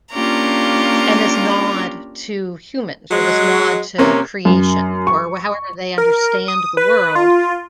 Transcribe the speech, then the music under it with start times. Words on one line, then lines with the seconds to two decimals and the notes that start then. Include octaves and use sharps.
and this nod to humans or this nod to creation or wa however they understand the world,
0.13 A#3 C#4 D4 F4 G4 A#5
3.11 F#3 G#3
3.98 C3 A#3 C#4
4.45 F#2
5.07 C#6
5.98 A#4
6.48 D#6
6.77 B4
7.15 F4